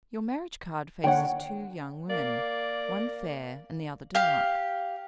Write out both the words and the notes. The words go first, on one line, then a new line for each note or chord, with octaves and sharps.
Your marriage-card faces two young women, one fair and the other dark.
D3 A#3 C#5 F#5 G5
A#3 D5
G4 F5